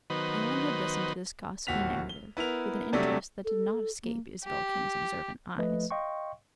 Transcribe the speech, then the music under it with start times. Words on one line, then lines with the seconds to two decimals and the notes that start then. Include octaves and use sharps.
Alan had listened to this gossipy narrative with an interest that did not escape Isabel King's observant eyes.
0.10 D#3 F#3 B3 B4 C5 D#5
1.67 D1 D#2 F#4 B6 F7
2.09 G7
2.37 B3 E4 A#4 F7
2.93 C3 F#3 G3 A3 D4
3.45 A4
4.03 A#3
4.45 G4
5.58 F3 A3 B4 D#5
5.91 D#5 F5 G5 C6 C#6